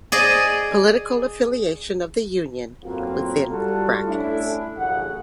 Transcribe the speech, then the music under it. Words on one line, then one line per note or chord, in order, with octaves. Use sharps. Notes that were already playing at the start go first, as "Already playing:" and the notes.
Political affiliation of the union within brackets.
G#4 D5 D#5
F#2 A2 A#3 C4 F4 F#4
G3 F4 F#4 A4
A3 C#4 D4 E4
A1 F#2 C#3 F#5